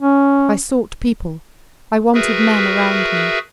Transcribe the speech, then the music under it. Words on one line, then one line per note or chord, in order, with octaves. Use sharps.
I sought people--I wanted men around me!
C#4
F#4 G#4 A#4 B4 E5